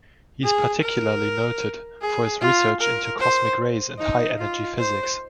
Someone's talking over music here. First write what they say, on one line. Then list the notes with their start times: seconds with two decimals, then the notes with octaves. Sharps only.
He is particularly noted for his research into cosmic rays and high-energy physics.
0.43 G#4
0.82 A#4
2.01 G#4
2.41 F4
2.80 A#4
3.20 C5
3.99 D#4
4.38 F4
4.78 C5